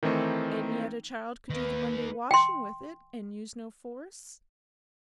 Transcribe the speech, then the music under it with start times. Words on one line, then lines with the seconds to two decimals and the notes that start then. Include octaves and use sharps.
"And yet a child could do the Monday washing with it and use no force."
0.03 D#3 E3 A3 C4 D#4
1.50 D#3 A#3 B4
2.31 G5 C6